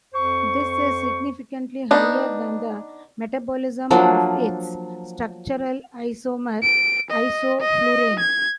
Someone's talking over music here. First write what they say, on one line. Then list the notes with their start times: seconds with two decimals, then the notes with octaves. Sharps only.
This is significantly higher than the metabolism of its structural isomer isoflurane.
0.14 F2 C5 C#6
1.91 B3 D4 D#4
3.91 F3 F#3 A#3 D4
6.63 D7
7.10 D#5
7.61 D#5
8.19 G#6